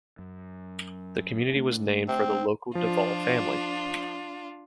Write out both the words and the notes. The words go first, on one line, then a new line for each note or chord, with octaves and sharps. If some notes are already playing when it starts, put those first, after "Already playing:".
The community was named for the local Devol family.
F#2
A3 D4
C4
F3 D4 F4